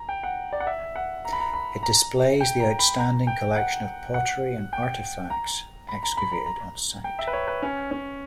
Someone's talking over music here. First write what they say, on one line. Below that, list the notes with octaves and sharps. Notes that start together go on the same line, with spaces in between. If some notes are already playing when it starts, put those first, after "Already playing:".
It displays the outstanding collection of pottery and artifacts excavated on site.
Already playing: A#5
G5
F#5
D5
F#5
E5
F#5
A#5
B5
A#5
B5
A#5
G5
A#5
B5
A#5
G5
F#5
F#5
G5
A#5
B5
A#5
B5
A#5
A#5
G5
E5
B4
C#5
B4
C#4
C#4